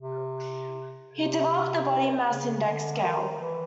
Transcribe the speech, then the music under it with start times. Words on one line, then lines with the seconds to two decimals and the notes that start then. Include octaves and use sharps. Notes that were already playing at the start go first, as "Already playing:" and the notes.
He developed the body mass index scale.
0.01 C3
1.14 C3
2.28 C#3
2.65 D3
3.03 D#3
3.41 E3